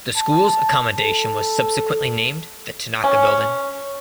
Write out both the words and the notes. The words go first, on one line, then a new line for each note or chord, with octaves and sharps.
The school's accommodation was subsequently named "the Tanaka Building".
A5
A4
C#4